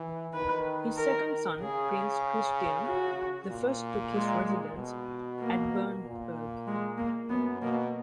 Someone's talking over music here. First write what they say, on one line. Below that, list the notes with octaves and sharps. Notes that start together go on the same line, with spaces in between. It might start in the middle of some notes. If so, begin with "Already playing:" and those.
His second son Prince Christian the First took his residence at Bernburg.
Already playing: E3
D#3 B4
A#4
C#3 G#4
F#4
A#2
G#3
B2
A#3
A#2
G#3
A#3
F#2 B3
B2 A#3